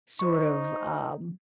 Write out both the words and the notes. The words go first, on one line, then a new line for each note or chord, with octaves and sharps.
sort of, um,
D#4 C5 C#6